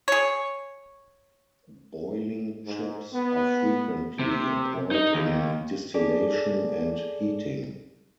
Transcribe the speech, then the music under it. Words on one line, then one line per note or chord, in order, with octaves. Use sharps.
Boiling chips are frequently employed in distillation and heating.
G#4 C#5
G#2
B3
C3
D#4 D#5
D#2
G#4 A4 D5